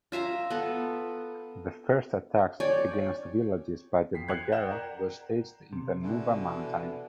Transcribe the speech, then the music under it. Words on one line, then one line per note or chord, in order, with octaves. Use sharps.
The first attacks against villages by the Baggara were staged in the Nuba Mountains.
F4 E5 F5 A#5
B3 A4
C#5 D5 G5 G#5
F2 B6 C7
F#6 G#6 C7 C#7 F#7
F#5 G5 G6 E7
A#4 D5 A#5
C3
B2 D3 E3